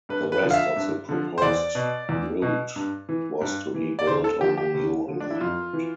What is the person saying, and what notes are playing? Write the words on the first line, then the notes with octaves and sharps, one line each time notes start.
The rest of the proposed route was to be built on a new alignment.
G2 B4
B4
D3 F3
F5
E5
G2
D3 F3
C5
E2 D5
B2
E2
B2
G2
E3
G2
E3
D5
D2 C5
A4
D3 F3 G4
G4
D2
D3 F3
D4
E4
F2 F4
E3